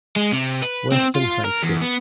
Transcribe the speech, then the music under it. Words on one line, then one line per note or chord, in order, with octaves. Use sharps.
Weston High School.
G#3
C3
B4
C4
F4
A#4
E2
B3